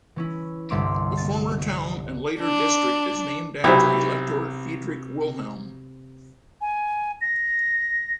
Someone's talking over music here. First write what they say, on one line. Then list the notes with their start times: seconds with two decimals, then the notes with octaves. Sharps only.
The former town and the later district is named after Elector Friedrich Wilhelm.
0.16 E3 C#4 E4
0.70 G1 C2 E5 C6 D6 D7
1.17 A6
2.40 D4
3.64 B1 C3 E4 C5
6.61 G#5
7.21 A#6